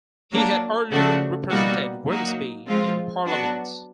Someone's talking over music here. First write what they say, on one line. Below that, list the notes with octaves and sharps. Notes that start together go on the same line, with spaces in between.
He had earlier represented Grimsby in Parliament.
F#3 A#3 D4
C#3 F3 A3 D4 F#4
B2 G3 A#3 D#4 F#4
F#3 A#3 D#4 F#4
F3 G#3 C4 F4
F#3 B3 D4 F#4